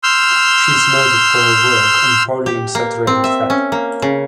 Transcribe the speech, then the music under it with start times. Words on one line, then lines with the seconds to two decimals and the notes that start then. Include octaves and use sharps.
She is noted for her work on Polyunsaturated fat.
0.03 C6 E6 F6 G6
2.46 G4
2.75 A#3
3.07 C4
3.24 E5
3.50 C#4
3.72 A#3
4.02 C#3